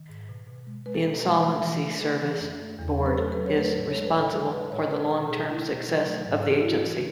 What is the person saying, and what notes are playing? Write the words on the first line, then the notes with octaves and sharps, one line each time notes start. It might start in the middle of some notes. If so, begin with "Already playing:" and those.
The Insolvency Service Board is responsible for the long-term success of the agency.
Already playing: D#3
G#2
B2
B2
G#3
G#3 B4
A4
B2 B4
G#3
A3
E3
A3
A3 A4
E3
G#4
F#2
A3
E2
F#3
B4
A3 A4
F#3 B4
C#5
A3 B4
A2 A4
G#3 C#5
B4
A2 A4
G#3 G#4
G#3 B4
A2 C#5
B2 B4
B2 A4
B2 G#4
A3 E4
B2
F#3
A3
G#2
E3
E4
G#2 F#4
E3